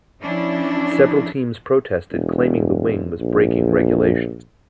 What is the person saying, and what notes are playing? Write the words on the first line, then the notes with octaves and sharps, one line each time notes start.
Several teams protested claiming the wing was breaking regulations.
F3 C#4 D4 E4
E1
A#1